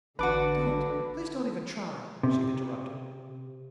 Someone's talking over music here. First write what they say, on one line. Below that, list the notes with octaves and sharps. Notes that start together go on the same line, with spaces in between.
"Don't--please don't even try," she interrupted.
A1 D3 D4 F#4 B4 D6
C3